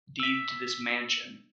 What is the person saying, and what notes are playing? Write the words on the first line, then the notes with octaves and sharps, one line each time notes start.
deed to this mansion."
E6 B6